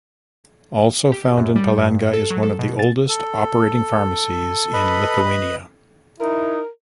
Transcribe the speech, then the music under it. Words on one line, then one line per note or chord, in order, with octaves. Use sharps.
Also found in Palanga is one of the oldest operating pharmacies in Lithuania.
G4
F#2
G3
G2
A4
F#3
A4
B2
A6
A4
B4 D#5 B5
D#4 E4 A#4